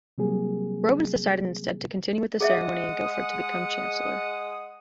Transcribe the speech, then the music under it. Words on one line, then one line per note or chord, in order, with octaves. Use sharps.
Robens decided instead to continue with the ceremony in Guildford to become Chancellor.
C3 F#3 G3 A#3 C4 G#4
G#3 G#4 D#5 E5 F#5 D#6